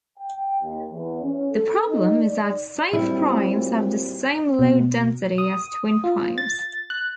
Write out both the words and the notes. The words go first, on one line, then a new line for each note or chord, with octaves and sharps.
The problem is that safe primes have the same low density as twin primes.
G5
D#2
E2
C#4
A4
D#4
D5
A#2 F#3 G3 C4 E4
B2
D#6
F4
A6
F#6